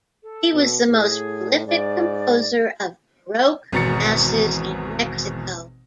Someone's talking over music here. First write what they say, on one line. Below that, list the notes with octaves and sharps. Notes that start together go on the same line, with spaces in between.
He was the most prolific composer of Baroque masses in Mexico.
A4
B2
A2 G#4
G#2 D5
G#1 E2 B2 A#5 A6 C#7